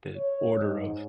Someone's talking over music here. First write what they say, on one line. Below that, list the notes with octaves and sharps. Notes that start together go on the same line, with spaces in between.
the order of
C#5
G#2